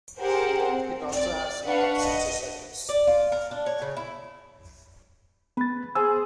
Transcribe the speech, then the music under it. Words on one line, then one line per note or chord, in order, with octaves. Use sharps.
It also has some clubs and societies.
G4 G#4 A#4 C5 F#5
C4
D5
D4 B4 F5 F#5 C#6
D#5
D5
F4
A#4
D4
C#5
C#3
E4
B3 B4 A6
G#4 C5 E6